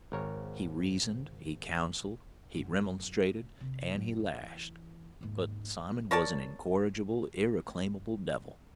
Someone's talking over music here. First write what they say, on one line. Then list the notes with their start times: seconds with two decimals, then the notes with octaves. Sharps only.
He reasoned, he counseled, he remonstrated, and he lashed; but Simon was an incorrigible, irreclaimable devil.
0.12 G#1 A#4 C#5
2.55 G#1 F#2
3.60 C3
3.90 F#2 F#3
4.19 D2
4.42 E3
5.21 D#2 G#2
6.11 A#4 C#5 D5 A5